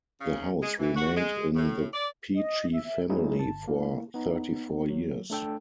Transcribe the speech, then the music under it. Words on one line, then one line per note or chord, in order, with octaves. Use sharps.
The house remained in the Peachey family for thirty-four years.
C#3
G#3
E3
F#4
G#3
A2
D5
D#5
E5
F#3 G#3 A#3 D#4 E4 G#4
G1 A5
A#3 E4
B3 D#4
F#3
A3 D4 A4 G5